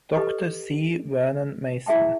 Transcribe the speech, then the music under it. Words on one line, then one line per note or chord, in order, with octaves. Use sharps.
Doctor C. Vernon Mason.
G4 A4 B4 D#5
E4 G#4 E5 G5 A5